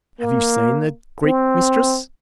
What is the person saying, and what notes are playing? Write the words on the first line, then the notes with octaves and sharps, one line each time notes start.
"Have you seen the Greek mistress?"
A#3
C4